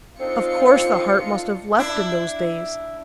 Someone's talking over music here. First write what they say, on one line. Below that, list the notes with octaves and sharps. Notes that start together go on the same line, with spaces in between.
Of course, the heart must have leaped in those days.
C4 D4 D#4 F4 A4 C#7
D4 E4